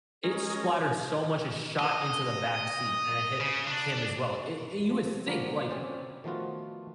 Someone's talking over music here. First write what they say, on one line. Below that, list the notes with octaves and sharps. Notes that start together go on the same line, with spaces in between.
it splattered so much and shot into the backseat, and it hit him as well, a and you would think, like,
G#3 C#4 A#4 D#5
D#5
C#3
D4
F3
D3 F3 A#3 B3 F#4 A#4
C4 C#4 C5 D5
D#3 F3 A3 B3 F4 F#4